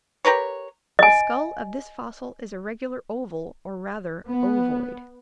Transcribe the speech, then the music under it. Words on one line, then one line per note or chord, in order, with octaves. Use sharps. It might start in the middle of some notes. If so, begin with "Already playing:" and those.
The skull of this fossil is a regular oval, or rather ovoid.
G4 A#4 B4 C#5
D#5 G#5
B3